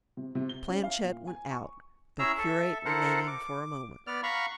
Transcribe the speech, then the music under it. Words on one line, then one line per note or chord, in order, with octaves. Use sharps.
Planchet went out, the curate remaining for a moment.
C3
C3
G7
C#4
F5
A#2
G#5
C#6
C#4 E4 G#4 E5 A#5 E6
A4 E5
E4 A4 A#4 C5 F#5
D6
B3 D5 F6
F5 F#5 A#5 B5 C#6